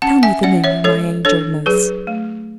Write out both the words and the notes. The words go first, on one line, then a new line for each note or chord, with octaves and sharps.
"Tell me the name of my angel nurse."
C#4 F#5 A5
E5 G#5
C#4 D5 F#5
C#5 E5
G#3 A4 C#5
D4 A4 C#5
F#3 G#4 B4
A3